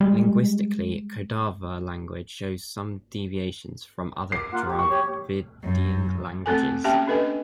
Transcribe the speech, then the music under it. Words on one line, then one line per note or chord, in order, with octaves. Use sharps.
Linguistically, Kodava language shows some deviations from other Dravidian languages.
G3 G#3
D6 C7
A#3 F4 F#5
G4
C#6
G4 C#5
F#2
A3 C4 A4 G#5
A#3 C#4 G4 E5 G5 A5
D4 A4 B4 D#5 G#5